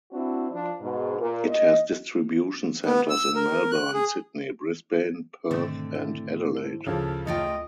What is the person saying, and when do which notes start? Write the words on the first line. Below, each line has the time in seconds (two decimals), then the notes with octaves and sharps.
It has distribution centres in Melbourne, Sydney, Brisbane, Perth and Adelaide.
0.12 C4 D4 E4 F#4
0.51 F3 D4
0.80 G#2 B2
1.19 A#2 A#4
1.48 D#5
2.86 B3
3.10 E6
3.35 A#4
3.71 F#6
3.94 G#4
5.51 G#2 B2 D3 D#3 A3 C4
5.95 E4 E5
6.55 E4 C5
6.86 D2 C#3 F3 C#4 A4 G#6
7.27 A3 F4 D#5 G5